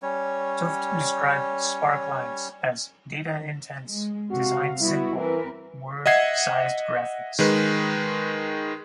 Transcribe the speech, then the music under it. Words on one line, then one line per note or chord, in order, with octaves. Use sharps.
Tufte described sparklines as "data-intense, design-simple, word-sized graphics".
G3 C#4 C#5
G#3
C3 F#4 F5
G3 B3 E4 F#4
E3 C4 A#4 B4
D#5 E5 F#5 G#6 C7
D#3 G#3 B4